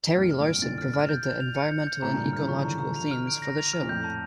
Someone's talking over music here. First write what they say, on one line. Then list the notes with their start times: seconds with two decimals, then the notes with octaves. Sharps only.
Terry Larsen provided the environmental and ecological themes for the show.
0.15 F2 A2 F6
0.31 F6
0.40 G2 A#2
0.47 D7
0.62 A#2 D3 A6
0.78 F6
0.94 F6
1.09 G6
1.25 G6
1.40 F7
1.56 C#7
1.72 G6
1.87 G6
2.02 A2 C#3 A#5
2.14 G2 A#2
2.18 A#5
2.26 A#2 D3
2.33 C#3 E3 F6
2.48 D3 F3 C#6
2.65 C#3 E3 A#5
2.80 D3 F3 A#5
2.96 F7
3.11 F6
3.27 D7
3.42 A#6
3.58 F7
3.73 F6
3.83 A#2
3.89 F2 A2 G6
4.04 A5